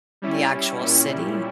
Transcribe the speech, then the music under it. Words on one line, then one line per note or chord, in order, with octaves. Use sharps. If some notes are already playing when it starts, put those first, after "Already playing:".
the actual city
G3 C#4 E4
A#2 G3 C#4 E4